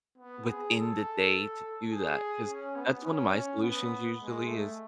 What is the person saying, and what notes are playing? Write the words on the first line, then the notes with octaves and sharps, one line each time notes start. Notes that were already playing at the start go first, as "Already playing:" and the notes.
within the day to do that, 'cause that's one of my solutions usually is
B3
G#4
A4
G#4
C#4
B3
C#4
C#4
B3
G#3
A3